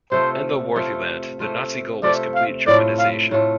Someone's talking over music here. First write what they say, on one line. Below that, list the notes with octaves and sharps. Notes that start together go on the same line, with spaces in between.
In the "Wartheland", the Nazi goal was complete Germanization.
C3 A3 F4 C5
C3 A3 F4
C3 A3 F4
C3 A3 F4 D5
F5
A2 A3 F4 D5
F5
A2 A3 F4